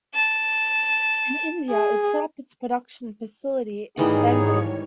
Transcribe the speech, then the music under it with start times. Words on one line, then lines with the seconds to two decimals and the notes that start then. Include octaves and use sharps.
In India it set up its production facility in Bangalore.
0.14 A5
1.70 G#4
3.97 G#2 D#3 E3 G3 B3 D#4 G#4 C#5